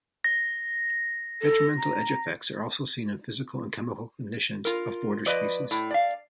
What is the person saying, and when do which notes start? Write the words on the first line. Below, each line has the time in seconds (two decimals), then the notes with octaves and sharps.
Detrimental edge effects are also seen in physical and chemical conditions of border species.
0.24 A#6
1.42 A4
1.78 A#5
4.65 F4 A#4
5.26 F3 B4 D5 D#5
5.71 A2
5.91 D5 F5